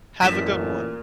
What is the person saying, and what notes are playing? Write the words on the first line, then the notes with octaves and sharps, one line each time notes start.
Have a good one.
A1 F#2 A#2 B6 E7